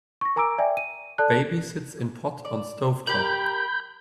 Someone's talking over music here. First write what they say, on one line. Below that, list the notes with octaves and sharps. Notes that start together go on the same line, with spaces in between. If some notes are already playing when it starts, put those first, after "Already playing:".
Baby sits in pot on stove top.
C#6 A#6
A#4 G#5 A#5 D6 E6 D7
D5 E5 G5 G#5
D#7
A4 D5 A5 F#6
D5
G4 A#4 B5 G6